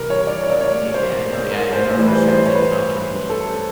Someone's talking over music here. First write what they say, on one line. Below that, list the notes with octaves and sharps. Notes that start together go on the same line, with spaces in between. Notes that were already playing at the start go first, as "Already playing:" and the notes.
Okay, yeah, I know, yeah, and I know, for sure, TikTok can be
Already playing: C3 E3 G3 A#4
C#5
D5
C#5
D5
C#5
C5
A#4
C5
A2 E3 G3 C5
B4
C5
C5
C#5
B4
C5
B4
A4